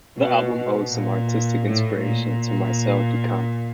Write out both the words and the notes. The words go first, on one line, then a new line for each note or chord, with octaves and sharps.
The album owes some artistic inspiration to Marcel Duchamp.
B2
B2
A#2
A2
A#2